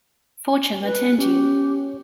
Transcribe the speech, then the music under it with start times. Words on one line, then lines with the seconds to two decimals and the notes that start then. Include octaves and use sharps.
Fortune attend you !
0.83 B4
1.18 C#4 G4